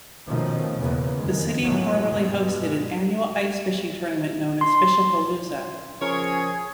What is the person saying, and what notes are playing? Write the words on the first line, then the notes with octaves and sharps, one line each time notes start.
The city formerly hosted an annual ice fishing tournament known as Fishapalooza.
B2 D#3 F3 A3 C4 C#4
E2 C#3 E3 A#3 B3
F2 D#3 G#3
A2 E3 F#3 A3 A#3
G2 B2 G#3
C6
C#3 F3 G#4 A#4 C#5 C#6